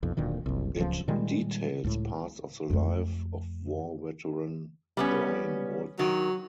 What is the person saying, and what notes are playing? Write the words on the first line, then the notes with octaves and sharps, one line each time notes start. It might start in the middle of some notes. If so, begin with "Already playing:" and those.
It details parts of the life of war veteran Brian Wood.
B1 F2
D1 D2 A#2 D#3
F#1 C2
D1 C#2 F3
A#2 D#3 G3 G#3
C#2 A2
F2 A3
G3 B3 C#4
D#3 F#3